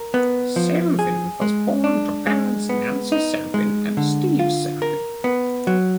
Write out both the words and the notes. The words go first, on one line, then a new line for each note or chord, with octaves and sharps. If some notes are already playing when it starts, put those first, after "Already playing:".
Selvin was born to parents Nancy Selvin and Steve Selvin.
Already playing: A#4
B3
F3
G#4
G#3
D4
G#3
B3
D#4
G#3
D3
F4
A#4
B3
F#3